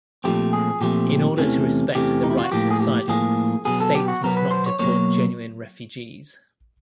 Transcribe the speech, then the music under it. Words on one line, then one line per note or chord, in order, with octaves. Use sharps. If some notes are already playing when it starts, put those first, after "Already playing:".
In order to respect the right to asylum states must not deport genuine refugees.
A#2 F3 A3 C4 G4
G#4
A#2 F3 A3 C4 G4
E2 C3 E3 A3 C#4
E2 C3 E3 A3 C#4 G4
D#4
E4
F4
F#4
A2 F3 A#3 G4
G#4
G4
A2 F3 A#3 G#4
B2 F#3 B3 G#4
A4
G4
F#4
B2 F#3 B3 A#4
B4
C5
C#5
B2 F#3 A#3 C#5